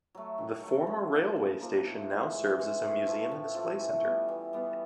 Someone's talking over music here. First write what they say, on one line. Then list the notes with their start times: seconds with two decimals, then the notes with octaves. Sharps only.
The former railway station now serves as a museum and display centre.
0.15 F#3 A3
0.38 D#3
0.63 F#3 A3
0.87 C#3
1.12 F3 A#3 D#4
1.36 C#3
1.60 F3 A#3 D#4
1.85 A2
2.10 E3 G#3 C#4
2.34 A2
2.58 E3 G#3 C#4
2.82 A2
3.07 F3 A3
3.31 A2
3.55 F3 A3
3.79 E3
4.04 G3 B3
4.29 E3
4.53 G3 B3